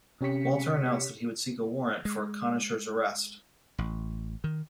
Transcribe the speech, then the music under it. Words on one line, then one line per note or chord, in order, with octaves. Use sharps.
Walter announced that he would seek a warrant for Conacher's arrest.
C3 C#4 G4 C#5 B6 C#7
G#3
A1
D#3